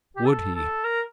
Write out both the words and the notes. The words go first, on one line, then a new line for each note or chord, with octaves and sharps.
Would he!
G4
A4
A4
A#4